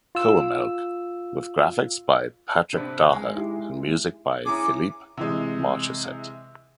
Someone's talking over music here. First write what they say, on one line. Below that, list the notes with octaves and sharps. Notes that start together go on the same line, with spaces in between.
Coemelck, with graphics by Patrick Daher and music by Philippe Marchiset.
F4 E6
C3 C4 D4 B4
G#3
D#4 E4 G4
C#4 E4 G#4 G#5 A#5 D6
C3 E3 G#3